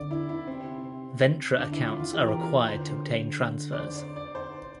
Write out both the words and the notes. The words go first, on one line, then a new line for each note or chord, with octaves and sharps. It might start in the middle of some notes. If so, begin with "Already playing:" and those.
Ventra accounts are required to obtain transfers.
Already playing: D3 D5
E4
E4
C3 C4
D3 D4
E4
F4
F4
E3 G4
A#4
A#4
D3 C5
D5
C5
D5
D5
C5